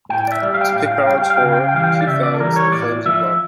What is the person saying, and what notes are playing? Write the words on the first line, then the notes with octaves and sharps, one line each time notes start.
To Picard's horror, Q fans the flames of love.
A2 G5
D5
E5
G3
F5
G5
F5
A2 G5
F5
G5
F5
G3 G5
F5
G5
F5
G5
C#3 F5
G5
F5
G5
E3 G3 F5
G5
F5
D5
C#3 E5
D5
A4
E3 G3 A#4
C#5
A2 D5
F3 E5